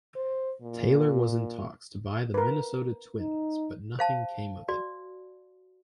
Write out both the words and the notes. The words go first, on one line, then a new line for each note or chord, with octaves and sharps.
Taylor was in talks to buy the Minnesota Twins but nothing came of it.
C5
A#2
A#4 B4
D#4
C5 F5 A5
F#4 D5